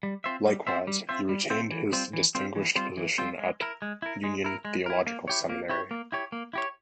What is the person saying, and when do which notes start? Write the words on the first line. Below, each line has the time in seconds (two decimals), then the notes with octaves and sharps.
Likewise he retained his distinguished position at Union Theological Seminary.
0.03 G3
0.24 C4 F4 C5 E5
0.45 G3
0.67 C4 F4 C5 E5
0.87 G3
1.09 C4 F4 C5 E5
1.29 G3
1.50 C4 F4 C5 E5
1.71 E3
1.92 G3 C4 F4 C5
2.13 E3
2.35 G3 C4 F4 C5
2.55 E3
2.76 G3 C4 F4 C5
2.97 E3
3.18 G3 C4 F4 C5
3.39 G#3
3.61 E4 A#4
3.82 G#3
4.02 E4 A#4
4.24 G#3
4.44 E4 A#4
4.65 G#3
4.86 E4 A#4
5.07 A#3
5.28 E4 G4 C#5
5.50 A#3
5.69 E4 G4 C#5
5.91 A#3
6.12 E4 G4 C#5
6.32 A#3
6.53 E4 G4 C#5